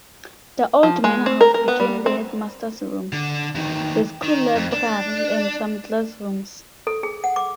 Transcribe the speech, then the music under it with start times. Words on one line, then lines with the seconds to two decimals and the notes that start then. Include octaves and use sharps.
The old Manor House became the headmaster's room, the school library and some classrooms.
0.83 F3
1.04 G#3
1.26 C4
1.41 A#4
1.54 A#4
1.68 B3
1.80 G3
2.06 C4
3.13 D3
3.55 E2 D#3
4.23 D#3
4.55 F2
4.72 D4
6.87 A4
7.03 G#4
7.24 F#5
7.36 D6